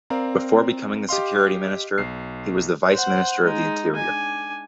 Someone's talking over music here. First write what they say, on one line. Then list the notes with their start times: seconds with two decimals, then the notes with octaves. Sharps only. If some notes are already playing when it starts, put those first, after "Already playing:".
Before becoming the security minister, he was the vice minister of the interior.
0.10 C4 A#4 D5 F5 A#5
1.09 G4 D#5 F5 C6
1.98 B1 C7
2.92 C5 F#5
3.43 G#3 D#4
3.96 D4 G#5